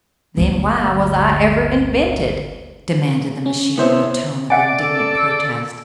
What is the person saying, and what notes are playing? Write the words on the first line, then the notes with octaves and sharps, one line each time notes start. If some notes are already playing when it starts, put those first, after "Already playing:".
"Then why was I ever invented?" demanded the machine, in a tone of indignant protest.
G1 D2
C#4
B3 E4 C5 C#5 E5
D5 E5 F#5 G#5
A4